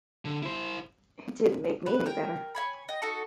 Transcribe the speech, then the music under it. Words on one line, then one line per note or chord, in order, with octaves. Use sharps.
It didn't make me any better.
D3
E4 C5
B4
A#4 G5
C#5 E5 G#5 B5
D#5 G5
D#4 F#4 A4 C#6